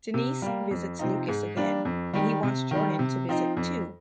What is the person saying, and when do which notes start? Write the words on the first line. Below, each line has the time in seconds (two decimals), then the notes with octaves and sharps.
Denise visits Lucas again and he wants Jordan to visit too.
0.14 C3
0.42 G3 A#3
0.71 F2
0.99 C3 F3 C4 D#4
1.28 G#2
1.57 G3 A#3 D4
1.85 F2
2.14 D#3 G3
2.43 C3
2.71 D#3 G3
2.99 C3
3.29 F3 C4 D#4
3.57 F2